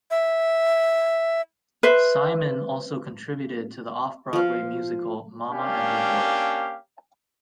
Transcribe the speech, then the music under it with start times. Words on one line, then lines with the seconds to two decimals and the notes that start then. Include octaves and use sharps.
Simon also contributed to the Off-Broadway musical "Mama and Her Boys".
0.11 E5
1.83 B4 C5 E5
4.33 F3 F5
5.51 A#3 C#4 D4 G4 F5